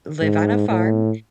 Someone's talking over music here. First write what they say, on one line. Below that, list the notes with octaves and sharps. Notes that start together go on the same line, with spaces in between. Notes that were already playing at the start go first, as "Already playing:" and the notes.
live on a farm,
G#2
A2